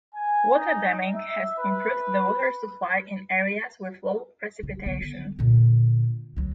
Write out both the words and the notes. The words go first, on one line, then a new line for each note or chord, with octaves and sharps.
Water damming has improved the water supply in areas with low precipitation.
G#5
D#4
E5
B4
C#3
D3 B3
A#2 D3
D2 F#3